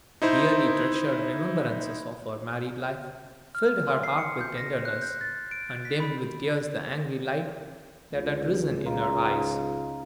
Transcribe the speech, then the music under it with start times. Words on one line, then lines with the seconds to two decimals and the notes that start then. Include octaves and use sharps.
Dearly treasured remembrances of her married life filled her heart with tenderness, and dimmed with tears the angry light that had risen in her eyes.
0.22 D#4 E4 C5
3.55 F6
3.87 C6
4.04 C7
4.18 C#7
4.41 G6
4.58 A#6
4.85 F#6
5.02 G6
5.21 A6
5.51 D7
5.85 B6
6.00 B5
8.13 C#2
8.86 D#4 F4